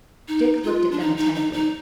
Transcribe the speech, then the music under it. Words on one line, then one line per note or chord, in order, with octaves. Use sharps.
Dick looked at them attentively.
D#4
F4
D4
D#4
D#4
D#4
D#4